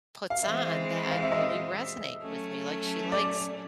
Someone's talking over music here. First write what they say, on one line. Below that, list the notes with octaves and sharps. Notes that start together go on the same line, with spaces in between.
puts on that really resonate with me. Like, she likes
F5
E3 G#3 C4 E5
F5
E5
D#5
F#3 A3 C#4
D5